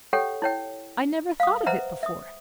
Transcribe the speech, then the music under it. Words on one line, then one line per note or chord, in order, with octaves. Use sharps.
I never thought of it before.
G4 A4 C#5 F#5 G5
E4 C#5 G5
F5 D#6
B4 C5 E5 F#5 A#5
E5 D#6